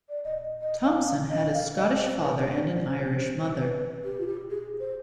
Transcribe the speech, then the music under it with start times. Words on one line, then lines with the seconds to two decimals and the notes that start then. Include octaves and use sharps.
Thomson had a Scottish father and an Irish mother.
0.09 D5
0.24 D#5
0.62 D#5
0.85 F5
1.30 D#5
1.53 F5
1.76 D#5
1.92 D5
1.99 C5
2.22 B4
2.37 C5
2.52 D5
2.67 C5
3.58 B4
4.04 G4
4.20 F4
4.27 G4
4.50 G#4
4.80 C5